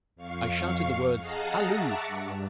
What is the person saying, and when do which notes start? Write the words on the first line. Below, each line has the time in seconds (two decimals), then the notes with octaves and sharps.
I shouted the words 'Halloo!
0.16 F2 F5 C#6 C7
1.19 G#4 D#5 F5 F#5 A5 A#5
1.69 E5 F#5 A5 A#5 C#6 D6
2.07 G2